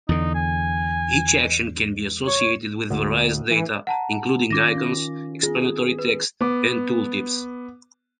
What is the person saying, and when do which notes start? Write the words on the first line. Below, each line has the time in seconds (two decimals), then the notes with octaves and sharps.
Each action can be associated with various data including icons, explanatory text, and tooltips.
0.09 E2 D3 D#4
0.35 G#5
2.27 C#5
2.90 D2
3.51 E3
3.87 F#5 A5 A#5
4.51 D#3 C#4 F4 D6 A#6
4.76 C#4
5.43 B3 F4 G#4
5.99 B4
6.41 B3 D6